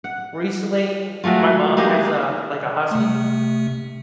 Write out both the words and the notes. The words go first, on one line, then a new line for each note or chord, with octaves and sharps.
recently w my mom has a, like, a husky
F#5
F#3 G#3 A3 F4
G#3 A#3 D#4 G4
C3 A3